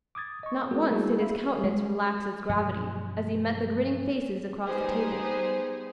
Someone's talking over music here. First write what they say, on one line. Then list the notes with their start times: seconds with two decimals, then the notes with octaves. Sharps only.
Not once did his countenance relax its gravity, as he met the grinning faces across the table.
0.15 D6 D#6 G#6 A6
0.43 D#5 C#6
0.71 G#3 B3 C4 F#4 G#4 A#4
0.91 G3 A#3 D4 E4 F#4 G#4
1.21 E5 F5 B5
1.64 G#3
2.50 G2 B2 F3 F#3
4.66 G3 B3 D#4 G4 G#4 C5